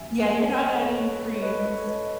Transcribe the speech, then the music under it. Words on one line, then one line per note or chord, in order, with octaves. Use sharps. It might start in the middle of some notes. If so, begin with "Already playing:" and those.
Yeah, you're not adding creams.
Already playing: D#2 C#3 F#3 E5 G#5
G#5
F#5 A5
B4 D#5
A4 C#5
C#5
B4
A4
C#5
B4 D#5
A4 C#5
B4 D#5